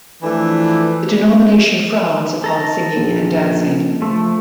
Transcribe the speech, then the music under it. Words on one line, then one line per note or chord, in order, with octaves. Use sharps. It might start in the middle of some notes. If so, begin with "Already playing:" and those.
The denomination frowns upon singing and dancing.
E3 F3 A3 D4 E4
A4 A#5
A#1
F3 A3